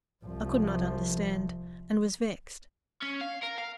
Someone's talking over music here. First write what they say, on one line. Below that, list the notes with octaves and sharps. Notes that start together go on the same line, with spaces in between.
I could not understand, and was vexed.
C2 F3
C#4
F5
A#4
F5